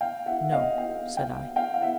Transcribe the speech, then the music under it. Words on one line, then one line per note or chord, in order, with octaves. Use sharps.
"No," said I.
F5 G5
E5 F#5
D#5 F5
F5 G5
F5 G5
F5 G5
F5
E5 F#5